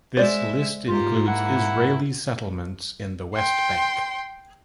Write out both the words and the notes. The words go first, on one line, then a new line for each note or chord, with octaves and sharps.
This list includes Israeli settlements in the West Bank.
G#3 C5 D5 E5
G#2 A#3 F4 G4
E4 F#5
G5 C6